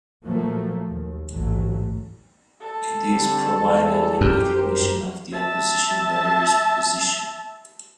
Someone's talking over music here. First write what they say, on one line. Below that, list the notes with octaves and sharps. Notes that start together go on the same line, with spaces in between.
It is provided in recognition of the opposition leader's position.
A#2 F3 F#3 A3 A#3
D#2
A1 D2 G#2 F#3 A3
A4
D3 G3 C4
E2
F#2 G4
G#1 A#4 C5
E5 A5